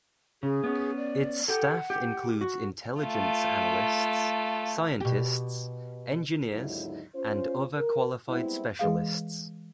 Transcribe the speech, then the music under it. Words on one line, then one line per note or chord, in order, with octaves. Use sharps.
Its staff includes intelligence analysts, scientists, engineers, and other qualified specialists.
C#3 G#4
B3 C#4
D5
G4 A4 F#5
G4
F#4
A3 F4
B2 G4
D#2 G#2 D3 F#3 D#4 E4
C#4 F4 C5
A#4
G3 G#3 B3 C4 E4
E3 G#3 G#4 F5